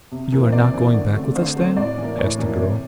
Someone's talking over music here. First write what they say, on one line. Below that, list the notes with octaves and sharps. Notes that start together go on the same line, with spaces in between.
"You are not going back with us, then?" asked the girl.
C3
E3 A#3
C5
C3 D5
E3 A#3
D3
A3 C4
D3 C5
A3 C4
A2 D5
E3 A#3
A2
E3 A#3
C3